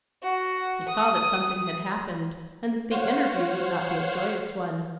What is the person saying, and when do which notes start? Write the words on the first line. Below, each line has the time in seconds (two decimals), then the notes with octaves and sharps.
He saw that something had happened, and that the interview would not be a joyous one.
0.23 F#4
0.89 D#6
2.91 C5 C#5 F5 F#5